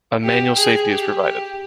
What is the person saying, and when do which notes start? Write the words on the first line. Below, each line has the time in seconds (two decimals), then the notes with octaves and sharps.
A manual safety is provided.
0.24 G4
0.56 G#4
0.90 G4
1.22 G4